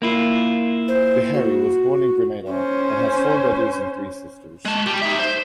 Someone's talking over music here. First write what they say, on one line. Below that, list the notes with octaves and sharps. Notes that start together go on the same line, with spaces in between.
Beharry was born in Grenada, and has four brothers and three sisters.
A#3 E4 F4
C5
F#4
C#4 C5
G#3 A5
G3
D#4 E5
C5